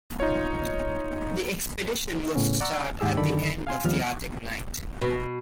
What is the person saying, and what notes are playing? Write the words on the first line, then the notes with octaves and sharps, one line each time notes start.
The expedition was to start at the end of the Arctic Night.
D#4 F4 C#5
A2 C#3 B3 C#4
D5 F#5 A#5 C#6 E6
D#2 G#2 G4 G#4 E6
F#2 D3 D#3 A4 D5 B5
F5 G#5 C6
D#2 F3 G3 F6
B2